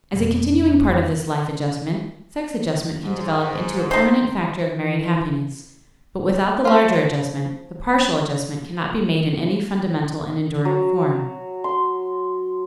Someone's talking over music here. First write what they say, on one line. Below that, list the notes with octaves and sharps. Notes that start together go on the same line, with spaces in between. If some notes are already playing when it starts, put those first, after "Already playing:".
As a continuing part of this life adjustment, sex adjustment can develop into a permanent factor of married happiness; but without the larger adjustment, the partial adjustment cannot be made in any fundamental and enduring form.
F2 B2 G#3
G#2
D#4 C5
E3
F3 F4
F#3
C6